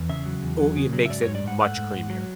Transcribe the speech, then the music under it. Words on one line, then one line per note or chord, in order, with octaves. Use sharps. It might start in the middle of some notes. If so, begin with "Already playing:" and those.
ooh it makes it much creamier.
Already playing: E2
C#3 E5
F#3
E2
F#3
C#3
F#3
E5
G#2 D5
C#5
G#2
D5
G#2 F#5
A3 F#5
G#2
G#2
F#3